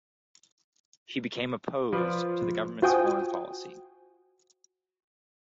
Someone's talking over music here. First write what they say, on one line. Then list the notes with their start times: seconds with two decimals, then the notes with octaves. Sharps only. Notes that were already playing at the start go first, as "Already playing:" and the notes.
He became opposed to the government's foreign policy.
1.93 F3 F4 B4 D5
2.82 F4 F#4 C5 G5 G#5 D#6